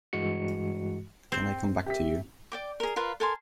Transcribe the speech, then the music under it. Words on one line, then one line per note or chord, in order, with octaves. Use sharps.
Can I come back to you?
G2 E3 G#3 F#4 C#7
C4 G5
G4 E5 B6
D5 G5 D6
G#4 A#4
F4 A#4 B4 F5
A4 A#4 G#5 C6